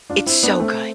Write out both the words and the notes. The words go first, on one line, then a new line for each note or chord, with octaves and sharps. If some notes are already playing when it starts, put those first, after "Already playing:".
it's so good.
D4 F4
C4 E4
B3 D4
A3 C4